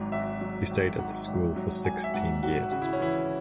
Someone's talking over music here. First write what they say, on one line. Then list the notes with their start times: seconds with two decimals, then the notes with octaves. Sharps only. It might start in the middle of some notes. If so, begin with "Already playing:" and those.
He stayed at the school for sixteen years.
Already playing: G#1 G#2 F#3
0.12 G#1 E5
0.41 F#3
0.71 G#1
0.98 G#2 F#5
1.28 G#1
1.56 F#3
1.85 G#1 G#5
2.04 E5
2.14 G#2 F#5
2.42 G#1 F#4
2.72 C#3 F#4
2.82 E4
2.93 C#4
3.00 E3 E4